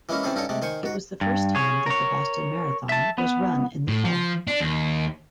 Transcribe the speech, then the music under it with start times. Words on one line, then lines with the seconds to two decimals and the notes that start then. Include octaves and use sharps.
It was the first time that the Boston Marathon was run in the fall.
0.09 E3 G#3 A#3 C#4 E4
0.23 E3 C4 C#4 G#4 A4
0.35 G2 C#4 D#4 A4 C#5
0.49 C3 G#3 A3
0.62 D#3 C5 G#5 C#6
0.83 G#2 F#4
1.21 G2
1.55 G#4 C#5
1.86 A#4 C#5
2.89 E5 A5
3.18 B3
3.88 A2
4.05 F3
4.47 D4
4.60 D#2